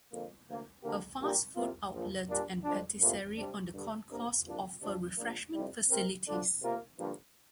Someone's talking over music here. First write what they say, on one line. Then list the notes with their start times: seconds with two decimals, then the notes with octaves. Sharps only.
A fast food outlet and patisserie on the concourse offer refreshment facilities.
0.11 F2 D3 A#3
0.48 D2 D3 A#3
0.83 D2 D3 A#3 G4 A#4
1.20 A#2 G3 D4 G4 A#4
1.56 C2 C3 A#3 F4
1.92 A#1 A#2 F3
2.29 A#2 G3 A#3 D4
2.64 F2 F3 D4
3.01 D2 C3 A#3 D4 F4
3.37 C3 G3 D4
3.72 G2 D3 G3
4.10 C3 A#3 D4 A#4
4.46 C2 A#2 F3 A#3 D4
4.81 C3 F3 D4
5.18 A#1 A#2 A#3 D4
5.53 F2 C3 G3
5.91 C3 G3 C4 A#4
6.26 D3 F3 D4
6.62 C3 A#3 F4 A#4
6.99 G2 D3 F3 A#3